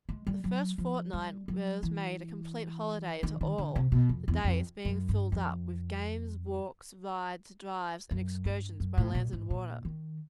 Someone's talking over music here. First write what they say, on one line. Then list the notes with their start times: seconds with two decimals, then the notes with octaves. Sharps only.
The first fortnight was made a complete holiday to all, the days being filled up with games, walks, rides, drives and excursions by land and water.
0.09 G#3
0.27 G3
0.44 F#3
0.78 F3
1.13 G3
1.48 F#3
1.83 E3
3.23 D#3
3.41 D#3
3.58 D3
3.76 C3
3.92 B2
4.09 F2
4.28 E2
4.44 F2
4.85 F#2
5.09 G2
5.32 F2
8.11 F#2
8.45 G2
8.80 F#2
8.98 A2
9.15 A#2
9.33 G#2
9.50 A#2
9.85 D#3